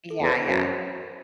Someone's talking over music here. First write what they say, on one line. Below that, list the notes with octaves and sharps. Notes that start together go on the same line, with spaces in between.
Yeah, yeah.
A4
E2
B4
C5
F#2 C5